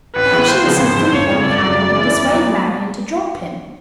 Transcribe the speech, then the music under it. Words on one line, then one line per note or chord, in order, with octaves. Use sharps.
"Perhaps she will see through Henry Hammond and persuade Marian to drop him."
A1 B4
A2 E3 G#3 B3
D#2 C5
C#3 F3 G#3 B3
G#1 C5
G2 E3 G#3
G1 C#5
F2 C#3 F3 A3
G1 D5
F#2 C#3 F#3
C#3
E3 G#3 C#4 E4
E2
B2 F#3 B3 D#4